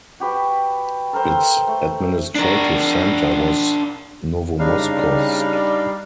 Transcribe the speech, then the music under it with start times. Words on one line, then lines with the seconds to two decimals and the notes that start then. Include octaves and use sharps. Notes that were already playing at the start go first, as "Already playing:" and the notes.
Its administrative centre was Novomoskovsk.
0.20 F#4 G4 B4
1.13 A4 A#4 C5 G5
1.67 A3
2.35 D4 A#4
4.59 C#3 G3 D4 D#4 F5